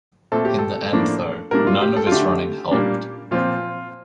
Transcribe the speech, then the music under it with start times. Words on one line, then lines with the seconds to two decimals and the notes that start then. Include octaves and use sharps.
In the end, though, none of his running helped.
0.32 A#2 A3 C4 A4
0.45 G4
0.59 A4
0.92 A2 F3 A#3 D4
1.51 A2 G3 A#3 D4 A#4
1.67 F4
1.82 G4
1.96 A4
2.07 F4
2.12 D3 A3 D4 G4
2.71 A#2 G3 A#3 D4
3.31 A#2 F3 C4 F4